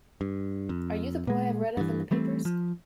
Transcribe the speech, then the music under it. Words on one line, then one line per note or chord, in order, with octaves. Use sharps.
Are you the boy I've read of in the papers?
G2
F2
A#2 G#3
G2 E3
E3 G3 A3 C4
F3